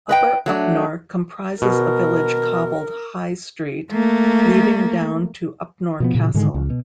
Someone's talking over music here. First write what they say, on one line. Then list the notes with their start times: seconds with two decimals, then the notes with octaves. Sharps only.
Upper Upnor comprises a village cobbled high street leading down to Upnor Castle.
0.09 B4 D#5 G5
0.46 F#3 A3 D4
1.62 B2 A#4
3.92 A3 A#3
6.00 B2 F3 B3
6.15 A#2 C#3
6.34 G#2 D3 D#3 G#3
6.54 C#2
6.70 B2